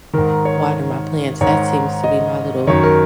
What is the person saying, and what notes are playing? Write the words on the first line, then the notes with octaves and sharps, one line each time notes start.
water my plants, that seems to be my little
G#2 D#3 A#4
C#5
G#2 D#3 C#5
D#5
F#2 D#3 C#5
A#4